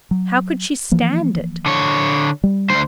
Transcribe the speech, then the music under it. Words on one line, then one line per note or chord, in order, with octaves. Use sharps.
How could she stand it?
F#3
E3 F3 A#3
D3 C#5
G3
D2 C5